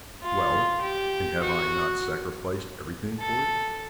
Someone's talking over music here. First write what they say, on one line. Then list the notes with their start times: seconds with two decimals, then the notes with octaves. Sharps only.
"Well, and have I not sacrificed everything for it?"
0.22 F4
0.82 G4
1.41 F#4
3.20 A4